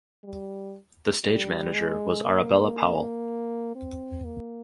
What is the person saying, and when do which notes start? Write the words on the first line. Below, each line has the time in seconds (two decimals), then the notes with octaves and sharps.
The Stage Manager was Arabella Powell.
0.24 G3
1.24 G3
1.73 G#3
2.24 A#3
3.75 C4
4.25 A#3